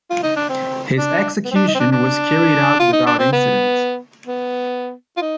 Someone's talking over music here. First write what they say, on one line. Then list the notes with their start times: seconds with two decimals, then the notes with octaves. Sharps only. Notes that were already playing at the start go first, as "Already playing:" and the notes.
His execution was carried out without incident.
0.10 F4
0.23 D#4
0.36 D4
0.50 C4
0.98 D4
1.45 B3
1.51 C4
1.55 D4
1.68 D#4
1.75 C4
1.80 D4
1.92 D4
2.80 F4
2.93 D#4
3.07 D4
3.19 C4
3.33 B3
4.27 B3
5.17 F4
5.22 D#4